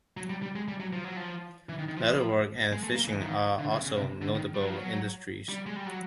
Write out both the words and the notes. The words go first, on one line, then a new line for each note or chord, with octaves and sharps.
Leatherwork and fishing are also notable industries.
F#3
G3
G3
G#3
G3
F#3
F3
F#3
F3
E3
D#3
D#3
F3
G#3
A3
A#3
E3
D#3
D3
C#3
C#3
C3
D3
D#3
G3
F#3
F3
F#3
G3
G#3
G3
F#3